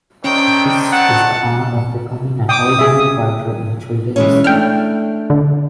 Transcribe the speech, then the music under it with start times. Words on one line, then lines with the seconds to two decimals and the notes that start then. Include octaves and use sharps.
That is the art of becoming an original writer in three days.
0.24 D3 D#3 C4 C#4 G5
0.92 F#5 A5
2.49 G5 D6 D#6
2.79 G#4 E5
4.16 E3 G#3 C#4
4.44 A3 D4 G5 F6
5.30 D3